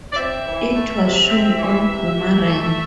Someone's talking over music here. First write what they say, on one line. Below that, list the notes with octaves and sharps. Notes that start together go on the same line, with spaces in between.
It was shown on Boomerang.
D5
C4 E5
E3
A3
C3
C4
E3
C3
E3
A3